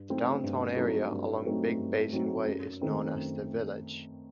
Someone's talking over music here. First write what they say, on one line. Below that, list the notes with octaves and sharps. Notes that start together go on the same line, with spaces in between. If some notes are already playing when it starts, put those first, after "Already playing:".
The downtown area along Big Basin Way is known as the Village.
Already playing: G2
F#3 A3 C4 D#4
G2
F#3 A3 C4 D#4
G2
F#3 A3 C4 D#4
G2
F#3 A3 C4 D#4
F#2
D#3 A3 C4 D#4
F#2